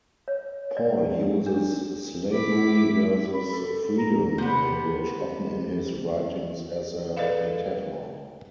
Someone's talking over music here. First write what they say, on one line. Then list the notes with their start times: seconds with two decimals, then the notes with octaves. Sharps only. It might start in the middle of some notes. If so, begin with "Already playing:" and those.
Paul uses slavery versus freedom language often in his writings as a metaphor.
0.28 C#5
0.77 D5
1.46 D4
2.33 E4 D6 B6
3.34 B5
3.51 A4
3.98 A#5
4.38 C3 B3
7.17 G#4 A4 B4 D5 D#5 F5